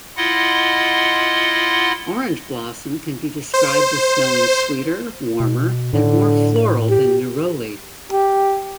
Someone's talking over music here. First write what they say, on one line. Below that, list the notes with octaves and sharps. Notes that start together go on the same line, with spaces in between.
Orange blossom can be described as smelling sweeter, warmer and more floral than neroli.
E4 F4 D#5 F#5 C6
C5
B2
A2 D3
G4
G4